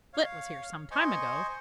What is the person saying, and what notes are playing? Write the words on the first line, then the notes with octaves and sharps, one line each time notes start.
Split was here some time ago.
C#5 F5
C5 D#5 G#5 C#6